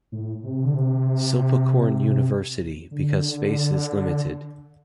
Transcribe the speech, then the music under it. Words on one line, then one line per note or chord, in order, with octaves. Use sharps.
Silpakorn University because space is limited.
A2
C3
D3
C3
D3